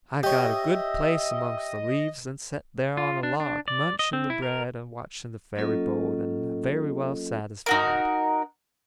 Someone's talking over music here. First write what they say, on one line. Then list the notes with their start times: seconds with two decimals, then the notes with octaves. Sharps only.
I got a good place amongst the leaves, and set there on a log, munching the bread and watching the ferry-boat, and very well satisfied.
0.23 G4 C#5 D#5 E5
2.97 F4
3.23 D4
3.40 D4
3.68 D5
3.99 D#5
4.13 C4
4.30 E4
4.42 A#4
5.56 F#3 A#3 C#4 F4 A4 D#5
7.66 D#4 F#4 A#4